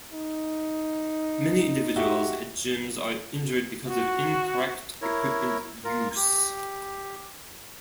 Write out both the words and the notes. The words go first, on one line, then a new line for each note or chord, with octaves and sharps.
Many individuals at gyms are injured because of incorrect equipment use.
D#4
F#4 G4 E5
F#4
E4 A#4 C#5
F4 A#4
G4